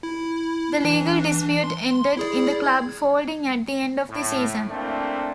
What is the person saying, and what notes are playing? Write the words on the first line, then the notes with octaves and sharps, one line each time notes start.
The legal dispute ended in the club folding at the end of the season.
E4
E3 D4
C6
E4 G#4 D5
G#6
A2
A3 A#3 C4 D4 E4